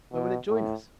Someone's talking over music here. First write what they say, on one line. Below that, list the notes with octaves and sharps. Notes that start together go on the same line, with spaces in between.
"Where will it join us?"
B2
A2